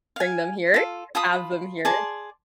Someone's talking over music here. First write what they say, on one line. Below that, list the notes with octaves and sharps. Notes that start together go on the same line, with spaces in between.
bring them here have them here.
F5 G#5
F4 A4
F4 A5 B5 D#6
G#4 D5 A5 C6